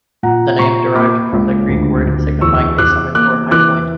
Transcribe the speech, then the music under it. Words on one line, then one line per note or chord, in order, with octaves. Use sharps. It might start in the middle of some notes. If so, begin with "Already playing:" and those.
The name derived from the Greek word signifying a summit or high point.
A#2 F#5 A#5
A#2 A#5 C#6
A#3 B5 D6
C#2
D2
D2
E2 C#6 E6
E2 D6 F#6
A#3 D6 F#6
E3 D6 F#6